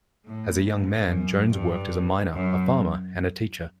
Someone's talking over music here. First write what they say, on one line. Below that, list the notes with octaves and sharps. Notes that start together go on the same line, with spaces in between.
As a young man, Jones worked as a miner, a farmer, and a teacher.
A2
G#2
F#2
G2
F#2